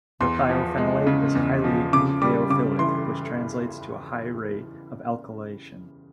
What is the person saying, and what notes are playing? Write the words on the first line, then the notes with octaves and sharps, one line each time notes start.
The thiophenolate is highly nucleophilic, which translates to a high rate of alkylation.
E2 C6
F3
G#3
C#3
E2
F3
C#3 D6
G3 D6
C#3 D6
E3 C6